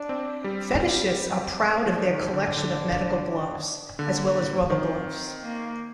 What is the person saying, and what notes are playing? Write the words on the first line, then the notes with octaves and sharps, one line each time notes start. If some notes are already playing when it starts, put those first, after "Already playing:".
Fetishists are proud of their collection of medical gloves, as well as rubber gloves.
Already playing: D4
C4
G3 C4
C4
C4
F3 D4
D#3
D4
D3
D3
D3 A#3
D#3 C4
A#3